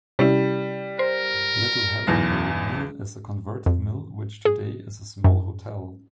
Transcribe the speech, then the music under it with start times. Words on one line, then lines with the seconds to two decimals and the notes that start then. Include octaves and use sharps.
Little Hallingbury Mill is a converted mill which today is a small hotel.
0.19 C3 G3 C#4 E4
0.99 A#4 C5
2.07 B1 E2 A#6
3.66 F2
4.45 G#4
5.24 F#2